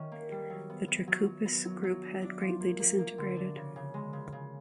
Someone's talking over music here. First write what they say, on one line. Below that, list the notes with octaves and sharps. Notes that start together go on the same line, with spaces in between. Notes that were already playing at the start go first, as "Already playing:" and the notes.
The Trikoupis Group had greatly disintegrated.
Already playing: D#3 C#4
A#3
G3
F#3
B3
B3
F#3
F#3
B3
F#3
F#3
D4
D4
F3
A#3
A#3
A#3
D3
D4
C#3
C#3
G#3
C#3
C#3